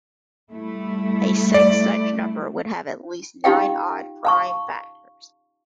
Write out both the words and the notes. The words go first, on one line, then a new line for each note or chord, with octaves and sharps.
A sixth such number would have at least nine odd prime factors.
G3 A3 E4
D5
D#4 F4 G4 F5 G5
F5 A5 C#6